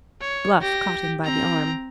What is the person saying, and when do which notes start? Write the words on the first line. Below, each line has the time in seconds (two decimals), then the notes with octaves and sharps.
Bluff caught him by the arm.
0.20 C#5
0.61 G4 A#6
1.24 C4 A#5